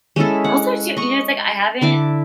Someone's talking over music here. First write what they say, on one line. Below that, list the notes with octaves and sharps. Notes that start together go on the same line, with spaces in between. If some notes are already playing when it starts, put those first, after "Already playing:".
Also, too you know, it's like I haven't
G#3 C#4 E4 A4
F#5
D#5 C#6
D3 E4 D6